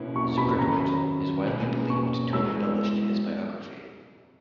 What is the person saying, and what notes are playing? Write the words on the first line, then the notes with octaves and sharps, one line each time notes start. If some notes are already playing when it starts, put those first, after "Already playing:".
Zukertort is widely believed to have embellished his biography.
Already playing: B2 A#3 C#4 E4 B4
C#6
B5
D#3 F#3 C#4 A#5
B5
B2 A#3 C#4 G#4 B4
C#6
G#3 B3 E4 G#4 C#5 E6